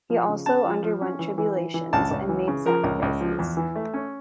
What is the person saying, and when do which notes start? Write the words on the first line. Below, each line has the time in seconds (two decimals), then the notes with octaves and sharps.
He also underwent tribulations and made sacrifices.
0.10 F3
0.28 C#3
0.46 C#4 A5
0.65 F3
0.83 F3
1.01 C#4
1.19 E3
1.38 E3
1.57 E3
1.74 E3
1.93 C#2 A5
2.11 C#2
2.29 E3
2.48 C#3
2.66 F3 A#4
2.84 C#2
3.02 C#2
3.21 F3
3.39 E2
3.57 E3
3.76 A3
3.94 C#4